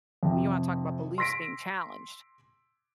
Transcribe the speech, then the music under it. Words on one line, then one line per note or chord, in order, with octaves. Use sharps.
you wanna talk about beliefs being challenged.
F2 C3
C6 E6 A#6 B6 D7